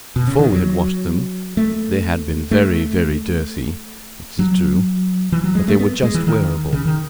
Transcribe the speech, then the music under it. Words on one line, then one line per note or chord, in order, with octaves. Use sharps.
Before we had washed them, they had been very, very dirty, it is true; but they were just wearable.
B2
C#3
D#3
F#3
A3
A3
F#3
E3
F#3
G#3
A3
B3
G#3
E3
D#3
C#3
D#3